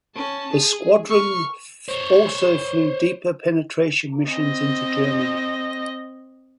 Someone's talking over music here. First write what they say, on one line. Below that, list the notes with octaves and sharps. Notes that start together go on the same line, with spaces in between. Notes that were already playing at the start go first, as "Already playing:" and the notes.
The squadron also flew deeper penetration missions into Germany.
C#4 A5
G#4
C#6 F6
C5 C#5
C4 D#5